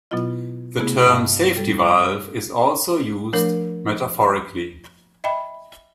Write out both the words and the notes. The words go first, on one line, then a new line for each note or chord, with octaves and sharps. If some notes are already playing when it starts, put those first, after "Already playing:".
The term "safety valve" is also used metaphorically.
B2 F#3 B3 E4 F4 D#5
C3 A3 B3 E4 G#4
G2 G#3 D#5 F5 G5 A5
G3 A4
F3 A3 D4 A#4 C#5
D#5 E5 G5 B5